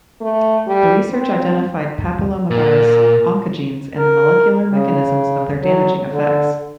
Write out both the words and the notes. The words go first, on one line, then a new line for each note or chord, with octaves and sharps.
The research identified papillomavirus oncogenes and the molecular mechanisms of their damaging effects.
A3
G3
C4
A#2 A#4
A#4
C#3
F#3
D3